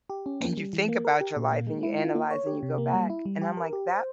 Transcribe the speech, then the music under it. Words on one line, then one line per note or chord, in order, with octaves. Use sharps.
and you think about your life and you analyze and you go back, and I'm like, "That
G4
C#4
A#3
G3
E3
A#3
A#4
G4
A#2
A#3
G#3
E4
F4
A#3
C#5
G4
C3
A#3
G3
E4
G3
G4
A#4
G4
C5